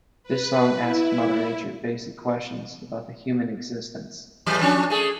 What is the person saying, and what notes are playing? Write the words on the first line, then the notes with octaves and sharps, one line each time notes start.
This song asks Mother Nature basic questions about the human existence.
B4
E4
E2 A2 F#3
F3 C#4 D4
A3 G#4